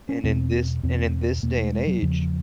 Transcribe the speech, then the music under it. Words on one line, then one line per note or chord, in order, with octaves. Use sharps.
And in this and in this day and age,
C#4
E2 B2 C4
E2 B2 C4
E2 B2 A#3
A3
G#3
F#3
E2 C#3 F3